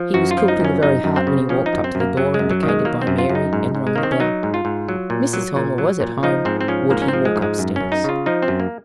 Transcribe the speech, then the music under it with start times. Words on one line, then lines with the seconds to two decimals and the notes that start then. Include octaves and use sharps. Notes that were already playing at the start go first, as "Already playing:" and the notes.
He was cool to the very heart when he walked up to the door indicated by Mary, and rung the bell: Mrs. Helmer was at home: would he walk up stairs?
Already playing: F3
0.14 F#2 F#4
0.31 F4
0.37 F3
0.48 D#4
0.60 F#2 C#4
0.83 F#2 D#4
1.04 F#2
1.16 C4
1.27 C#3
1.49 F3 C#4
1.66 D#4
1.73 F#2
1.84 C4
1.95 F#2
2.00 A#3
2.17 F#2 F#3
2.34 G#3
2.39 F#2
2.51 F#3
2.63 D#3
2.69 G#3
2.85 F#3 A#3
3.02 C4
3.07 F#2
3.18 F4
3.29 F#2
3.35 D#4
3.53 G#2
3.75 G#2
3.87 G#3
3.96 D#3 A#3
4.03 C4
4.12 C#4
4.20 F#3 D#4
4.43 G#2
4.54 F4
4.65 G#2
4.89 F#3
5.10 A#2
5.33 F#3
5.56 A#2
5.78 F#3
6.00 A#2
6.23 F3 D#4
6.45 G#2 C4
6.61 C4
6.68 F3 C#4
6.90 G#2 A#3
7.02 C#4
7.08 F3 C4
7.25 G#3
7.36 G#2
7.42 G#3
7.59 F#2
7.76 F#2 C#4
7.92 D#4
8.04 C#3 F4
8.26 F3 D#4
8.42 C4
8.48 F#2
8.60 A#3